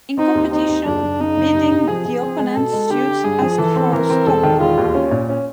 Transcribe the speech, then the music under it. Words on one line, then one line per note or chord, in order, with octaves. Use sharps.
In competition, bidding the opponent's suit asks for a stopper.
C4 D#4
D#2
C4 D#4
D#2
F#1 D4
F#1
C#3 D#4
F#1
C3
C3
F3 G#4
F3
C4
G#3
B2 A4
G#3
D3 G4
D3
G2 G#4
F3
E3 A4
C4
E3 A#4
C4
E1 A4
D#3
E1 F4
D#2
C#4
A#2
C#4